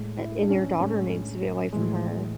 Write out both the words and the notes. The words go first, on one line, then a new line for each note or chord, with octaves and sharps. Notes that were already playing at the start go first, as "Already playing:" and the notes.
a and your daughter needs to be away from her.
Already playing: A2 G#3
E4
D4
C#4
A2 G#3 C#4
A2 E3 G#3